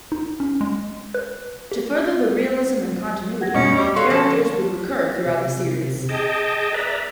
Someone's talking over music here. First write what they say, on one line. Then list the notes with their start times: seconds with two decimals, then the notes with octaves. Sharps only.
To further the realism and continuity, characters would recur throughout the series.
0.12 D#4
0.40 C#4
0.61 G#3
1.14 B4
1.72 G4
3.41 F#5 G#6 A#6
3.55 G2 B2 C#4 D#5
3.77 G3 C#6
3.96 F#4 A4 C#5 F5 C6
4.10 F3 C#4 A5
4.30 D3
5.26 C3
6.09 G#4 D#5 G5 A5
6.74 B4 D5 E5 A#5